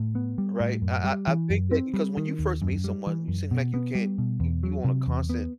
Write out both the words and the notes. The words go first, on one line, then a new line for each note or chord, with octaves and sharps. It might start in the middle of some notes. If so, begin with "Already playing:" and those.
right? I I I think that because when you first meet someone, you seem like you can't you you want a constant
Already playing: A2
B3
G3
A2
F#2
G3
E3
F#2
C4
G3
D#3
D#2
F#2
G3
E3
F#2
B2
B3
G3
B2
E2
F#3
C3
E2
B3